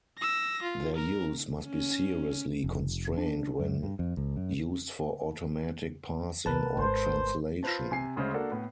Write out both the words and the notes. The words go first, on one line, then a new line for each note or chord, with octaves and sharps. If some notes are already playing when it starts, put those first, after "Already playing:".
Their use must be seriously constrained when used for automatic parsing or translation.
E6 A#6
F4
A#4
C#4
F1
D4
F#2
G2
F2
C#2
F#2
C2 A#4 B4 A5
G#1 C5
F4 B4 C5 A5
C3 G#5 C7
D2 C#3 G#3 C#4 C5
A#3 D4 F#4 A4
A2 B3